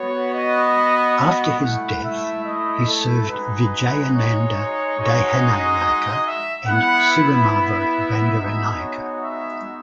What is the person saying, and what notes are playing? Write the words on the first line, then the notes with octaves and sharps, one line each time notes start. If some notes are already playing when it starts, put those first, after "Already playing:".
After his death, he served Vijayananda Dahanayake and Sirimavo Bandaranaike.
Already playing: B3 F#4 C#5
D#5
D#5
A3 E4 F#5
E5
D#5
A4
G#3 D#4 F#4 B4
C#5
C#5
G#3 D#4 F#4 C#5
D#5
E5
B3 E4 F#5
E5
G#3 B3 D#4 F#4
C#5
E5